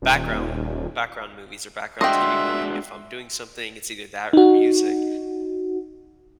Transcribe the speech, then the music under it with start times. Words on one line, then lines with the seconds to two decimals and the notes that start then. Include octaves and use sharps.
background background movies, or background TV going, if I'm doing something, it's either that or music.
0.02 D#1
2.01 G#3 D4 F#4 D#5 E5 G5 C6
4.33 D#4 F#4